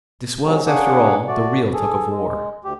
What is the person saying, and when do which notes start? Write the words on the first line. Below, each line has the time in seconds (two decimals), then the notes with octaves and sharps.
This was, after all, the real tug of war.
0.45 C3 F#3 G#3
0.67 A#3 C#4 D4 G#4 F#5 D6
1.28 A3 F#4 D5
1.73 G#4 A4
2.11 G#3
2.64 D2 G4